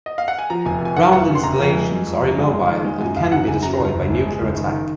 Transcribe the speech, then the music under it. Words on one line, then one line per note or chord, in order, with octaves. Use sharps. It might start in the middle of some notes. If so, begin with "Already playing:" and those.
Ground installations are immobile, and can be destroyed by nuclear attack.
D#5
F5
F#5
G#5
F3 A#5
F1 G#5
F2 G#5
F1 F#5
F1 F#5
C#3
C6
F1 A#5
F2
G#3
G#3
F2
F#1
G#3
G#3
D#3
G#3
F#2 G#5
F#1 F5
F#2 F#5
F#1 G#5
F#2 A#5
F#1
F#1
F#1
G#3
F#1
D#3
D#3